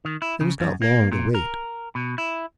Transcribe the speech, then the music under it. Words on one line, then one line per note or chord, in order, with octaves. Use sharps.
It was not long to wait.
D#3
E4
C#3
F#2
A#3
A#2
A#4
B2
E4